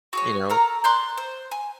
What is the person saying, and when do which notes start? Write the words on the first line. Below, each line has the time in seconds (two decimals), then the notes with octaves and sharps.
you know?
0.13 F#4 G#4 C#5
0.49 A4 A#4 A#5
0.84 D5 C6 F#6 G6
1.18 C5
1.51 G#5